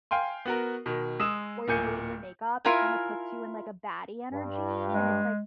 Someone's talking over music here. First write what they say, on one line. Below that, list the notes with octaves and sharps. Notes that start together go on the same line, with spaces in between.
or you're doing your makeup, it kinda puts you in like a baddie energy. And it's, like
F5 G5 G#5 C6
B3 F#4 A#4
B2 D#3
G#3 D#6 E6 E7
D1 A#2 A#3 G#5 G6 C#7
E4 F4 A#4 G#5
G2
G#3